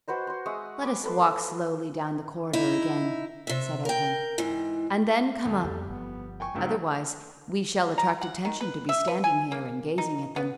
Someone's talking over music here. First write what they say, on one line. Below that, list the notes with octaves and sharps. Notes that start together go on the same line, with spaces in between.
"Let us walk slowly down the corridor again," said Evelyn, "and then come up; otherwise we shall attract attention to be standing here and gazing at them."
F#4 B4 C5 D#5
C5 C6
G#3 E5 C#6 D#6
B5 D6
A4 B4 C5
D#4 E4
C3 E5
A#4 G5
G#2 E3
D2 A4
F2 G3
G1 F3 B3
G5 G#5 C#6
A#1 G2 A#2 C#3 A3 B3
A#5
F#5
D#3
B4
E5
B4
G#5
A#3
D#4
B3